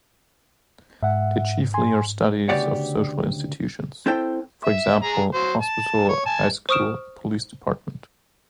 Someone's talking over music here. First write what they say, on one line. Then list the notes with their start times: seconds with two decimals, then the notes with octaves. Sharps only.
They chiefly are studies of social institutions: for example, hospital, high school, police department.
1.03 G#2 E5 F#5
1.74 G#5 C6
2.49 D2 C#3 B3 G4 D5 F#5
4.06 C4 E4 A4 C5 G5
4.65 E5
5.03 G#4 A#5
5.34 F#3 C5
5.62 A5
6.09 C#5
6.26 G#5 A5
6.69 C5 C#6 D#6 F6 D7 E7